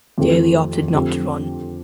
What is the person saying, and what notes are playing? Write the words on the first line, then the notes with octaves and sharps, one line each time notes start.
Daley opted not to run.
F2 D#3 A3 C4 G4
F2 D3 A3 C4 G4